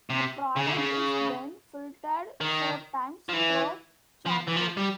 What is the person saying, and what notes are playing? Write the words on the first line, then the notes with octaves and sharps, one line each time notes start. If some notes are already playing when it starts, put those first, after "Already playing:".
The product is then filtered four times through charcoal.
C3
C#3
D3
C#3
D#3
F3
E3
F3
E3
F3
G3